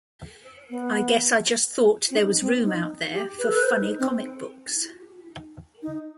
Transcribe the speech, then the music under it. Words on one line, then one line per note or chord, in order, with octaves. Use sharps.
I guess I just thought there was room out there for funny comic books.
B3
C4
D#4
C4
D#4
G4
B4
A4
B4
C5
D#4
C4
D#4